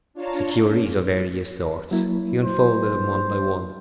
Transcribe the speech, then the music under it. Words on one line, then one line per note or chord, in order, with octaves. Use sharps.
"Securities of various sorts." He unfolded them one by one.
D4 F4 C#5 F5 A5 A#5
A#3 C#4
F#3 A#3 E4
C5